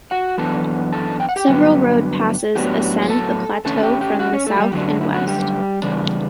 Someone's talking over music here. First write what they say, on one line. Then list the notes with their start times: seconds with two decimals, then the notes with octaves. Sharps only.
Several road passes ascend the plateau from the south and west.
0.11 F#4 F#5
0.38 F#2 E3 B3 D4 A4 A5
0.93 A4 A5
1.20 G5
1.29 F#5
1.36 G4 G5
1.48 G2 D3 F#3 B3
2.55 A2 F#3 B3 D4 G4 G5
3.10 A4 A5
3.65 D3 A3 C#4 A4 A5
3.77 A5
3.82 G4 G5
4.01 G4 G5
4.19 F#4 F#5
4.33 C#4 C#5
4.46 A3 A4
4.56 F#4
4.59 G3 G4
4.73 F#2 D3 F#3 A3 D4 F#4
4.87 D4
5.01 E4
5.14 F#3 F#4
5.28 G3 G4
5.82 E2 C#3 G3 D4